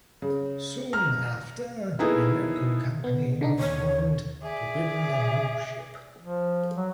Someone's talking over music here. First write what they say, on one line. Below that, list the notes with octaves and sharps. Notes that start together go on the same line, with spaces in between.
Soon after, a local company was formed to build a new ship.
C#3
A#5 F6
A#3 B3 D#4 E4 G#4 A4
B3
D3 D4 D#4
D#2 C#5
G#4 D5 E5
F3
F#3